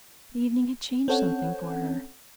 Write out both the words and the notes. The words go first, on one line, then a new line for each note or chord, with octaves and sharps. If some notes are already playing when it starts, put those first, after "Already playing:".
The evening had changed something for her.
C4 C#4 A4 C#5 F#5